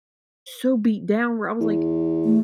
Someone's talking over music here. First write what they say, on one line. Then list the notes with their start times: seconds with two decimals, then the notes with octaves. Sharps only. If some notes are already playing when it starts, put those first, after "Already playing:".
so beat down where I was like,
1.60 E2
2.25 A3